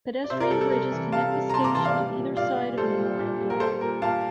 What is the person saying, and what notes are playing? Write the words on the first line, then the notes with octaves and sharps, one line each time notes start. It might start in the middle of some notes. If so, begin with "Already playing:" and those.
Pedestrian bridges connect the station to either side of Memorial Drive.
D5
C3 C5 E5
A#4 D5
G3 A4
A4
C3 A#4
E3
C3 F5 A5
G3
A#5
C3 A5 C6
A#5 D6
E3 A5 C6
D5 F5
G3
A#2
A#2 D5 F5
G3
G3 A4 C5
A#2
A#2
G3
A#4
G3 A4 C5
A#2 A#4
A#2 F5 A5